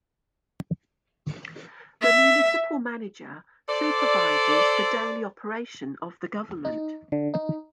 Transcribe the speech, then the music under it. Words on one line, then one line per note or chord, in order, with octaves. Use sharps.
The municipal manager supervises the daily operation of the government.
E5
A4 C5 D5
D#4
D3
D#4